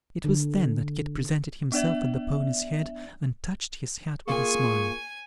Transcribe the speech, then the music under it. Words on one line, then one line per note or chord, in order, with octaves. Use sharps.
It was then that Kit presented himself at the pony's head, and touched his hat with a smile.
D3
B3 D4 D5 E5
A#3 F4 G#4 G#5 C#6